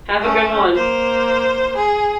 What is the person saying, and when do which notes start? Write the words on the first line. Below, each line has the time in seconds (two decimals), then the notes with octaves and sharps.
Have a good one.
0.21 A3 C#4
0.75 A#3 C5
1.76 G#4